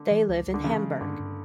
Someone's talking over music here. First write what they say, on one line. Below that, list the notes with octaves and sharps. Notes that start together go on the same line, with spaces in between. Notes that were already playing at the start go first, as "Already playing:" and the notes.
They live in Hamburg.
Already playing: D3
E3
C#2
C#2
D3
C#3 E3
G#3
G2 D3
G2